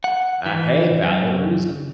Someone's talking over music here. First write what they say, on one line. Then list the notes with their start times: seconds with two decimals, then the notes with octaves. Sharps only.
Ah Hey, valid reason.
0.04 F#5
0.46 E3
1.03 F#2